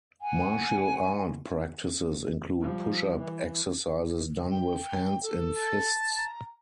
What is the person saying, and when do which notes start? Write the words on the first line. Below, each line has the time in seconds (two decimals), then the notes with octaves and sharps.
Martial art practices include push-up exercises done with hands in fists.
0.22 F#5 G#5
2.61 F3 G3
3.20 E3
4.51 G5
5.23 A4
5.56 A5
6.17 A#5